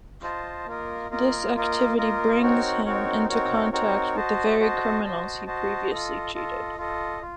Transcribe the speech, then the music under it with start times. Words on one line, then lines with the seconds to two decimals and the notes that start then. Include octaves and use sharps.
This activity brings him into contact with the very criminals he previously cheated.
0.23 F4 C5 D#5 A5
0.66 A#3 F4 A#4 D#5
1.10 A#3 F4 A#4 D#5
1.54 A#3 F4 A#4 D#5
1.98 A#3 F4 A#4 D#5
2.41 C4 D#4 F#4 A#4 C#5
2.85 C4 D#4 F#4 A#4 C#5
3.29 C4 D#4 F#4 A#4 C#5
3.72 C4 D#4 F#4 A#4 C#5
4.16 F#4 C5 D#5 A5
4.60 F#4 C5 D#5 A5
5.03 F#4 C5 D#5 A5
5.47 F#4 C5 D#5 A5
5.91 F4 A4 D#5
6.34 F4 A4 D#5
6.78 F4 A4 D#5
7.21 F4